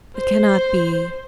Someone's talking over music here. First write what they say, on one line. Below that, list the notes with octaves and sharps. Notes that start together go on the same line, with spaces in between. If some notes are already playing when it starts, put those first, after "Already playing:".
It cannot be.
C5